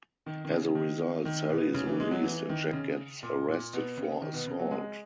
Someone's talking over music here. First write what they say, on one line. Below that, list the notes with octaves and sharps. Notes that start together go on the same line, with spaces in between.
As a result, Sally is released and Jack gets arrested for assault.
D#3
D#3
C#3
D#3
D#3
B2
C#3
E3
G#3
F#3
E3
D#3
C#3
A#2
A#2
B2
C#3
D#3
B2
C#3
F#3
G#3